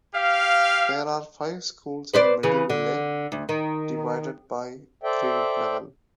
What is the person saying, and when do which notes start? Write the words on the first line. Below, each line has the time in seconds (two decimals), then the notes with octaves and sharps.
There are five schools in Middleville, divided by grade level.
0.14 G4 F5
2.13 B4 C5 D5
2.43 C#3 E3
2.70 D3
3.32 D2
3.49 D#3
5.03 A4 C5 D5 E5 G5